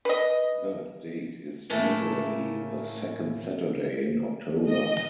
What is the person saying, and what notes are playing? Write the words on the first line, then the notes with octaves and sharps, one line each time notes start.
The date is usually the second Saturday in October.
B4 D#5
A2 C#3 A3 A#3 A5
D#5